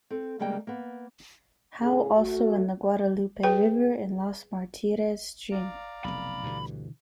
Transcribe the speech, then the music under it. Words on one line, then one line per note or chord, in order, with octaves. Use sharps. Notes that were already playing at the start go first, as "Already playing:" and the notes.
How also in the Guadalupe River and Los Martires stream.
C4 A4
D2 C#3 G3 G#3 A#3 G5
A#3 B3
A2 C#3 G#4
A3 F#4
G#4 B4 G5
D5 F5 A#5
F1 B1 B5
D2 G2 B2 D3 E3